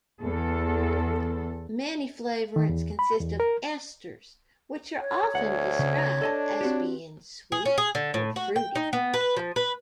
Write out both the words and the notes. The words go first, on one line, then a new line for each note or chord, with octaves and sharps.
Many flavorants consist of esters, which are often described as being "sweet" or "fruity".
E2 A4
D#3
E2
B5
E2
A#4
C#5
D2 F#5
C#3
D4 A4 D#5 A5
C4 F#4 G4
G#4
C#4
G#4
D3
A2
F#4
G5
D#4
B3
B4
F3
B4